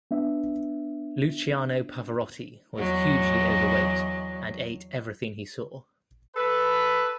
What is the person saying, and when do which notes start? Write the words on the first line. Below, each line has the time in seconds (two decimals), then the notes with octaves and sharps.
Luciano Pavarotti was hugely overweight and ate everything he saw.
0.11 B3 D4 E5
2.78 E2 F#3 D#5
6.36 A4 B4